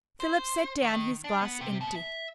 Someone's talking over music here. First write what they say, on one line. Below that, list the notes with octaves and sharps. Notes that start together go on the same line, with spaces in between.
Philip set down his glass empty.
C5
D#3
D4
B3
C3
B2
E5